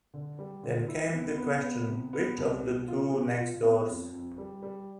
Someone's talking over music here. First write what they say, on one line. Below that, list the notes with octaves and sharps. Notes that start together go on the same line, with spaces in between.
Then came the question, which of the two next doors?
D3
G3
D3
E4
B3
B3
B3
C3
B3
C2
B2
F4
B2
F4
B3
F2
F2
G3
G3